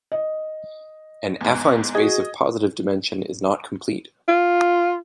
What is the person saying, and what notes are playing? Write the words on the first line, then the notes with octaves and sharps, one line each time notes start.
An affine space of positive dimension is not complete.
D#5
E2 G#2
F#4 G#4 D#5 G#6
F4